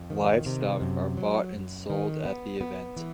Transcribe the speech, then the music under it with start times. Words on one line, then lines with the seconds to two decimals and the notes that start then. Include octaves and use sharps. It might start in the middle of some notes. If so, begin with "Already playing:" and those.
Livestock are bought and sold at the event.
Already playing: F2
0.10 D#3
0.46 C3
0.81 F#2
1.17 F#3
1.54 F#2
1.90 D#3
2.25 B3
2.61 B3
2.97 E3